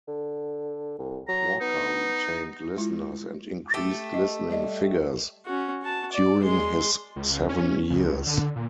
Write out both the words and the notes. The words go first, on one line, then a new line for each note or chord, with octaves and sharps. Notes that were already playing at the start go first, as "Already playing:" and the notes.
Walker retained listeners and increased listening figures during his seven years.
D3
C2
F#3 A#5
B3 D#4
G#3 E4 F4
A3 G4
D#5
G3 D5 D#5
C#4 F#4
F#4 A5
D5
G#3 C6
C#2
C#4
C#2
D3
A#2